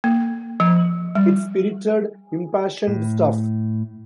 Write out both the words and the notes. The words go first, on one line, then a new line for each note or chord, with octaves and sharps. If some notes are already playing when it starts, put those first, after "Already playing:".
It's spirited, impassioned stuff.
A#3
F3
G3
A2